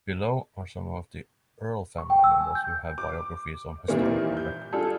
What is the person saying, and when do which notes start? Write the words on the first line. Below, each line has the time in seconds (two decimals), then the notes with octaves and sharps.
Below are some of the Earle family members who have biographies on historical record.
1.98 C#6
2.10 G5
2.24 E6
2.40 G#5
2.55 G6
2.98 D6
3.88 A#2 D#3 E3 G3 A#3 C4
4.37 G6
4.73 G3 D4 F4 G#4 A4